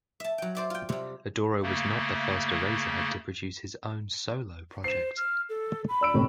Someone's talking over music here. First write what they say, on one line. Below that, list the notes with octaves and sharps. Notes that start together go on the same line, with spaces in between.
Adoro was not the first Eraserhead to produce his own solo project.
E5 A5
F#3 G5
C5 D5 E5
F4 G5
C3 G3
C#3 A3 A#3
C5 C7 E7
F6
A4
B5
D5 E6 D7
G1 A2 C3